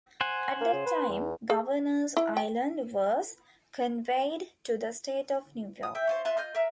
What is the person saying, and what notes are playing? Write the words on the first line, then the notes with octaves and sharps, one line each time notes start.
At that time Governors Island was conveyed to the State of New York.
C5 F#5 G#5
A#3
C#3
B4
E2
G#4
E4
G5
D#6
E5 G5
C#4 F4 C5
F4 E5 C6 F#6
F4 D#5 F6 G6
A#4 E5